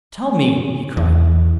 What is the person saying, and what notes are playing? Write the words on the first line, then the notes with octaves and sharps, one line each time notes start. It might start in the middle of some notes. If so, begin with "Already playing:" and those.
"Tell me!" he cried.
E2